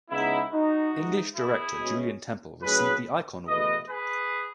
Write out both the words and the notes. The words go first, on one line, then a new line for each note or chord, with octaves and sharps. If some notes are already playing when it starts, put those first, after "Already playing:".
English director Julien Temple received the Icon Award.
C#3 G#3 B3 D#4 E4
D#4 F#4
G#2 E3 G#3 D#4
E4 G#4
B2 G#3 C#4
A2 F#3 C#4 G#4 B4
E2 B2 A3 B4 D#5
G#4 B4